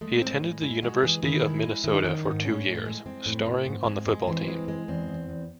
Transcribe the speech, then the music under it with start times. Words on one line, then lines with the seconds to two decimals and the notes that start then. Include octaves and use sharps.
He attended the University of Minnesota for two years, starring on the football team.
0.01 G#3 A3
0.21 A2 C4
0.42 G#3
0.62 G#3 E4
0.83 G#3 F#4
1.03 E3 G#4
1.23 D#3 E4
1.44 G#3
1.64 G#3
1.84 D#3 E4
1.94 D#4
2.04 D#3 C#4
2.14 D#4
2.24 G#2
2.44 A2 C#4
2.66 A2
2.75 A3
2.86 G#3
3.06 G#3 C4
3.26 A2
3.47 A2
3.66 G#2
3.86 G#3
4.07 G#3
4.27 E3 C4
4.48 G#3
4.68 G#3
4.88 E2 C4
5.09 E2
5.29 E2